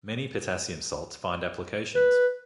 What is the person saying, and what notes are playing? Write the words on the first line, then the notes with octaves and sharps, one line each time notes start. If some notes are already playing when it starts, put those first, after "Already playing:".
Many potassium salts find applications.
B4